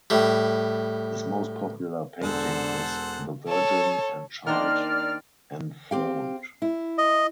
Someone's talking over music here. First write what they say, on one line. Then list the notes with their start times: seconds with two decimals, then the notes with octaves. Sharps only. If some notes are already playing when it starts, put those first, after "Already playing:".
His most popular painting is "The Virgin and Child Enthroned".
0.10 A2 G3
2.23 E1 D3 A4 C5 F#5
3.48 A4 C#5
4.46 D#3 A#3 D4 C5 D5 F6
5.91 C4 G4 F5
6.62 E4
6.98 D#5